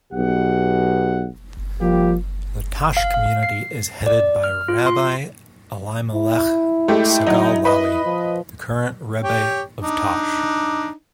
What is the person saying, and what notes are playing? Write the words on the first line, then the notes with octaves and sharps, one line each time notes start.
The Tosh community is headed by Rabbi Elimelech Segal-Lowy, the current Rebbe of Tosh.
B1 B2 G4 F#5
F3 G3 A#3 G4
F5
F5
C7
D5
F6
F4
C6
E4
G#3 A3 G4
F#3 D#4
B4 D#5
F3
G4 C#5 G5
D4 D#4